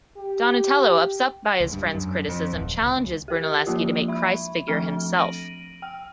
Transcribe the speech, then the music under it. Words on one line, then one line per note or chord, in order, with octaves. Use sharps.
Donatello, upset by his friend's criticism, challenges Brunelleschi to make Christ's figure himself.
G4
C#2
G2
F#2
F2
D1
C#2
G4 A#4
F3 G#3 A#3 E4 F4
E5 B5
F3 A3 C4 F6 G7
A#6 D7 D#7 F#7
G5 F6